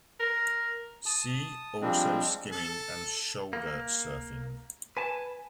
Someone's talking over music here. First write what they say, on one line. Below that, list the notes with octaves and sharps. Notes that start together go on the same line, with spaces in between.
See also skimming and shoulder surfing.
A#4
A5 D#6
F3 G3 G#3 C4 D4
A4
A#3
B4 G#5 A5